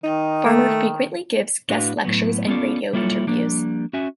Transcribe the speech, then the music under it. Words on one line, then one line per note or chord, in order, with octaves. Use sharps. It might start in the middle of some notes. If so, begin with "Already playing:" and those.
Farmer frequently gives guest lectures and radio interviews.
D#3 D#4
A3
A2 D4 F#4 B4 F5
A2 F#3 B3
B3 C#4 F4 A4 D5
G3 A#3 E4 F4 A4 C#5
F3 G3 A#3 D4
C#4 F#4 E5 G#5